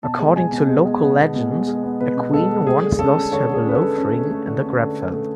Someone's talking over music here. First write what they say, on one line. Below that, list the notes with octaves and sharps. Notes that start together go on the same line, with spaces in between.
According to local legend a queen once lost her beloved ring in the Grabfeld.
B2 A5
G#3
B2 G#5
B2
G#3
B2
B3
B2
B2
G#3
G#3
B3
B2 B4
B2
G#3 A4
G#3
A3 G#4
D3
C#4 A4
C#4
D3 C#5
D3 G#4
C#4 B4
A4
D3
C#4
A3
A3
D3
C#4
D3
D3
A3